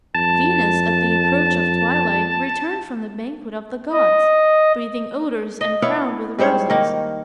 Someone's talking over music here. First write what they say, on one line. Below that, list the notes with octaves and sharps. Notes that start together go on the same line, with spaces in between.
Venus at the approach of twilight returned from the banquet of the gods, breathing odors and crowned with roses.
F2 A5
D#5
D#5
B3 E4 C#5 F5
G#2 G3 C5 C#5
D#3 A#3